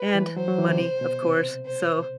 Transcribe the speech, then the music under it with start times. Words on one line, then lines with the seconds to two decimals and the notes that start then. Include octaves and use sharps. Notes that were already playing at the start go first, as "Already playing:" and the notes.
and money, of course, so.
Already playing: B4
0.15 E3
0.36 F#3 C5
0.48 F#3
0.58 E3
0.68 D3
0.79 C3
1.01 B2
1.23 C3
1.66 C5